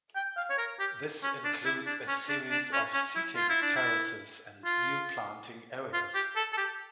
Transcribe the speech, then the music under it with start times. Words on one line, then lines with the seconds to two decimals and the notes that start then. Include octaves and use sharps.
This includes a series of seating terraces and new planting areas.
0.16 G5
0.37 F5
0.50 C#5
0.58 A#4
0.80 G4
1.23 C#4
1.44 D4
1.65 E4
1.86 D4
2.08 C#4
2.29 D4
2.51 D4
2.73 C#4
2.94 C#4
3.15 E4
3.36 F4
3.50 E4
3.62 D4
3.76 E4
4.65 F4
5.93 F4
6.15 G4
6.36 A4
6.53 A4
6.58 G4